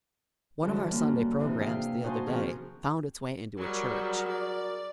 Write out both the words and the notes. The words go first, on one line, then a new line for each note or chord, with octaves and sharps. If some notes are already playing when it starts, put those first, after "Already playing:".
One of our Sunday programs, the other day, found its way into a church.
F#2 D3 E3 F3 G3
F#2 A#3
D#2 C3 E3 D4
G#4 E5 F5 G5
D#4 F#4 C5 G#5 A5 C6
D#3 F3 C4 F#4 G#4 A#4
F#3 G3 F#4 G#4 A#4
D5